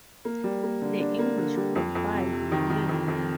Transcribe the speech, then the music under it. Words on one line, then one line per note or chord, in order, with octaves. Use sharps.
The English complied willingly.
A#3
G3
A#3
D3
D4
A#3
D3
G3
F2
F2
C3
C3
D#3
D#3
F2
F2